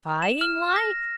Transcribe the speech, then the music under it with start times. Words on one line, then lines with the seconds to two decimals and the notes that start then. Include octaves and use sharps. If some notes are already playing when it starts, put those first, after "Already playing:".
Spying like!
0.22 E7
0.41 F6
0.76 A#6